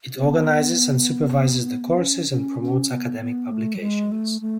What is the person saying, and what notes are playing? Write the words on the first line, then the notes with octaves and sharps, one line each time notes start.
It organizes and supervises the courses and promotes academic publications.
B3
C#4
C#4
C#4
B3
B3
A3
F#3
G#3
A3
A3